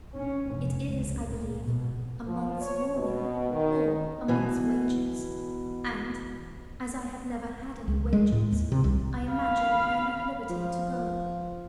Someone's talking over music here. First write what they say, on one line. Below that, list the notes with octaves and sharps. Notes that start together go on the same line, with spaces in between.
It is, I believe, a month's warning or a month's wages; and, as I have never had any wages, I imagine I am at liberty to go.
C#4
F1
C#2
A#2
B2
F3
C#5
B2
D#3
B2 E3
C#2
G#3
A2
D#2
C3
C2
F5 B5
F3